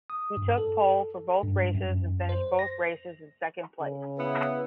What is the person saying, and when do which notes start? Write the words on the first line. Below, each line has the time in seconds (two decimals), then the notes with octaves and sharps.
He took pole for both races and finished both races in second place.
0.10 D#6
0.37 G2
0.58 A4
1.43 G2
1.74 F#2
2.29 C5
2.59 A#6
3.81 C#3
4.17 B3 E4 B4